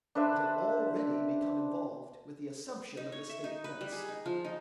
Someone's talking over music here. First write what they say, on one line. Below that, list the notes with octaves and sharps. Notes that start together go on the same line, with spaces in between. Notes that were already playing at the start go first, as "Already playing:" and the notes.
It had already become involved with the assumption of the state debts.
D4 B4 C5 E5
D#4
C#5
E5
D#4
B4
G3
G#4
D#4
F3
D#4